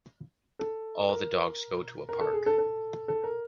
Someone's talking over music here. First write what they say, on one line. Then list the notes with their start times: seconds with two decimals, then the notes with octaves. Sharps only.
All the dogs go to a park.
0.59 A4
1.09 A#4
2.09 A#4
2.20 A4
2.33 G#4
2.46 A4
2.58 A4
3.08 A4
3.24 A#4